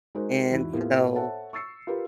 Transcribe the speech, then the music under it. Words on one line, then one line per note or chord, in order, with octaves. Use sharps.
and so
G#3 D#4 F#4 A#4 C5
E2 G#2 E4 F#4
A2 A#3 B3 E4 F4 G4
A4 C5 C#5 E5 F#5 A5
C#6 E6 A6 C7 C#7
F4 G4 A#4 B4